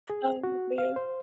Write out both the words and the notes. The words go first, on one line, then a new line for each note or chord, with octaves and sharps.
Oh, man.
G#4
F#4
F5
C5